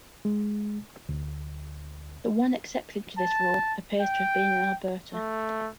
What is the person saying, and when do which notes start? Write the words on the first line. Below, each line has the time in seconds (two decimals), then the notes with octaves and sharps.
The one exception to this rule appears to have been in Alberta.
0.25 G#3
1.09 D2
3.18 A5
4.01 G5
5.14 A3